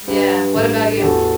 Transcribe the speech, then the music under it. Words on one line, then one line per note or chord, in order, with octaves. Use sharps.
Yeah, what about you?
G2 G4 B4
A1
G4
E2 F#4 A4